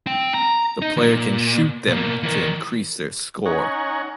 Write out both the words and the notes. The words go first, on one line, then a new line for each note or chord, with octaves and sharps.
The player can shoot them to increase their score.
C4 G5
A#5
D#4
D#2 A#2
B2 A#3
E3 A#4
C#4 D#4 C#5 F#5 G#5 A#5